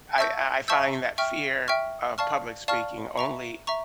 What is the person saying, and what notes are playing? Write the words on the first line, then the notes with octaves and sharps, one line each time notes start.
I I I find that fear of public speaking only
E5 A5 C#6 E6 G6
E5 A5 C#6 E6 G6
E5 G5 C#6 F6
E5 G5 C#6 F6
D5 F5 A5 C#6 F6
D5 F5 A5 C#6 F6
E5 A#5 C#6
E5 A#5 C#6